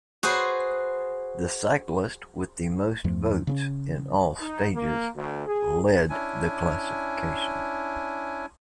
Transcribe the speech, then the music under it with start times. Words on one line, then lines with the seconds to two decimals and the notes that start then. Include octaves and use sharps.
The cyclist with the most votes in all stages lead the classification.
0.23 F#4 G#4 B4 C5
3.04 E2 G2 F3 A3
3.47 C#3 C4 C#4
4.40 D#4
4.74 A#3
5.16 D2
5.47 G#4
6.10 C#4 D4 E4 G#5